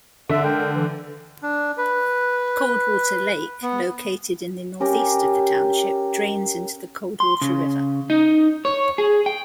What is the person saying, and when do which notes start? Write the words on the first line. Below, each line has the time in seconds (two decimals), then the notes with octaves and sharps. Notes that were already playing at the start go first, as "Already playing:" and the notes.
Coldwater Lake, located in the northeast of the township, drains into the Coldwater River.
0.29 D3 E5
0.44 G#3 A#4 G5
0.75 E3
1.43 D4
1.78 B4
3.62 B3
4.80 C#4 G4 A#4 A#5
7.20 C6
7.41 C#3
8.10 D#4
8.65 C#5
8.98 G#4
9.26 G5